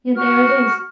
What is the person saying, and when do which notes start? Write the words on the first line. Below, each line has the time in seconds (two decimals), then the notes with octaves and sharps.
Yet there it is.'
0.15 F#4 F6